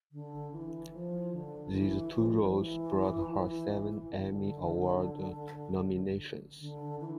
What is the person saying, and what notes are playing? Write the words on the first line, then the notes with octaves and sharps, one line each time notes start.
These two roles brought her seven Emmy Award nominations.
D3
E3
F3
D3
E3
F3
G#3
F3
E3
E3
D3
D3
E3